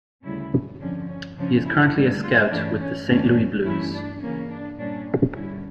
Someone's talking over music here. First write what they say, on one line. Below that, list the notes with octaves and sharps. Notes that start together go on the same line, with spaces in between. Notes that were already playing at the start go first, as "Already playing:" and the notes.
He is currently a scout with the Saint Louis Blues.
D2 C#3 G3 C#4 E4
F2 D3 F3 C#4 D4
C#4
C#3 F3 C#4 D4
E4
D2 D3 G3 A#3
F4
G2 E3 A3 C#4 D4
C#4
E2 D3 A3 C#4 D4
G2 E3 A3 C#4 E4
D4
C#3 E3 A#3 C#4
D4
A#2 G3 A#3 C#4 D4
G2 D3 G3 C#4 E4